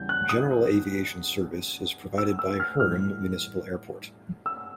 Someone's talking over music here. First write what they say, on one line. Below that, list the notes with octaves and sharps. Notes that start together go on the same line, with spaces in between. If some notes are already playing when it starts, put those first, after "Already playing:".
General aviation service is provided by Hearne Municipal Airport.
Already playing: E2 C#3 E3 G3 G6
F#6
D#6
E6
E6
F6
A2 E3 G3 F6
E6